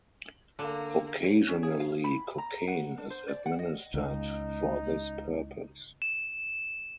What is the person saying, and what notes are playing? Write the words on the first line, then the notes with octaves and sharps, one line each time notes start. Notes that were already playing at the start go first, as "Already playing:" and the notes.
Occasionally, cocaine is administered for this purpose.
D3 A#3
C#5
C#4
G#4
F5
B5
A#5
F#5
D4
C5
D5
F#5
D#5
C#2 D#4
E7